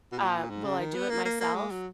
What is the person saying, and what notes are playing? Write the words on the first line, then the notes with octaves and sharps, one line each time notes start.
Uh, Will I do it myself?
B2
A#2
G#2
C#3
D#3
B3
A#3
A#3
A#3
G#3
F#3